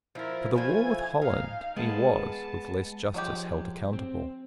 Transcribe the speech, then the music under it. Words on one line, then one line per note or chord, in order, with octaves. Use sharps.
For the war with Holland, he was, with less justice, held accountable.
F3 E4 F4 A#4
F3 A3 E4 G#5 G#6
D#4 F5
G#3 B3 G#4 A5
F3 F#3 G#3 G4
C4